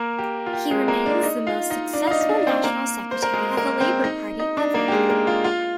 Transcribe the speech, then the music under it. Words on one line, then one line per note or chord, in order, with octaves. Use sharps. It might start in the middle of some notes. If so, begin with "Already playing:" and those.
He remains the most successful National Secretary of the Labor Party ever.
Already playing: A#3 A#4
G4
F4
G4
G#3 G#4
A#3 A#4
D4 D5
D#4 D#5
F4 F5
D#4 D#5
D4 D5
F5
D#4 D#5
D#5
D4 D5
D5
C4 C5
A#3 A#4
C5
A#4
G#3 G#4
A#3 A#4
C4 C5
D#4 D#5
D#4 D#5
D4 D5
A#3 A#4
G4
G#3 G#4
A#3 A#4
F4 F5
F4 F5